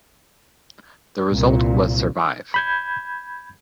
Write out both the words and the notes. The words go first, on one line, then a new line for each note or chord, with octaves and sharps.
The result was Survive!
C2 A#2
B5 G6 G#6